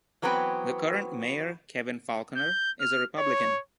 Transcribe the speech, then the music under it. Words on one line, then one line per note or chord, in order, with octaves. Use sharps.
The current mayor, Kevin Faulconer, is a Republican.
E3 F#3 B3 C4 B4 G5
G6
F6
C#5